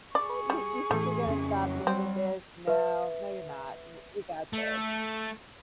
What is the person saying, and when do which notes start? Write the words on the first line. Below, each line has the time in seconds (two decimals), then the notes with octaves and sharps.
you you think you're gonna stop me with this? No no, you're not. W we got this."
0.15 G#4 D5 C#6
0.50 G3
0.91 A2 E3 A3
1.26 F2 C#3 C#4
1.57 F#3
1.87 G3 C4
2.67 B4 E5
4.53 A3